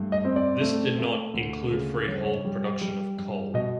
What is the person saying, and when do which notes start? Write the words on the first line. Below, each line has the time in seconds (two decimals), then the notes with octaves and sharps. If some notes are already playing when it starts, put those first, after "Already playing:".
This did not "include freehold production of coal".
Already playing: G2 A3
0.12 D#5
0.25 C4
0.36 D5
0.61 A3
0.98 A3
1.34 D2
1.71 C#3
2.07 G2 C#5
2.16 C5
2.24 C#5
2.45 G3
2.81 G3
3.18 G2
3.54 B2 D#5